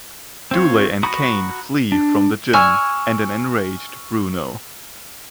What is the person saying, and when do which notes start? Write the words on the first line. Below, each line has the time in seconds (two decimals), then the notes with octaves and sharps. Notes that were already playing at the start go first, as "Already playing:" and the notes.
Dooley and Kane flee from the gym and an enraged Bruno.
0.51 C4 F4 C#5
1.03 F#4 A#5 B5 C#6 D#6
1.92 D4
2.53 G#5 C#6 E6 F6